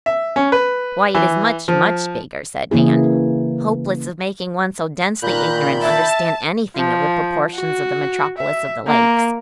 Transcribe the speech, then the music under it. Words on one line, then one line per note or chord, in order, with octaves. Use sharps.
"Why, it is much, much bigger," said Nan, hopeless of making one so densely ignorant understand anything of the proportions of the metropolis of the lakes.
E5
C#4
B4
E3
F3
C#3 E3 A#3 E4 G#4
A#2 D#3 A#5 B5 F#6 G6
E5 A5
F3
F#4
E5
A#3